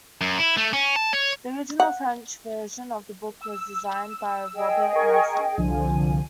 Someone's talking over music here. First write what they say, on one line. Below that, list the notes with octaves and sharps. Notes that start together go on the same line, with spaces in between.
The original French version of the book was designed by Robert Massin.
F#2
E4
A3
C#4
A5
C#5
F#5
E6
G#4 D#5 G5
A#4 G#5 C#6
C2 D3 F3 G#5